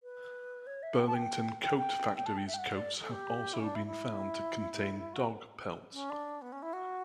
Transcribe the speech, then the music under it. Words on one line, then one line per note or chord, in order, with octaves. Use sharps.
Burlington Coat Factory's coats have also been found to contain dog pelts.
B4
C#5
E5
G5
A5
G5
G5
G5
G5
A5
G5
E5
G5
F#5
D5
A4
G4
E4
C#4
D4
E4
E4
F#4
C#4
D4
B3
C#4
E4
F#4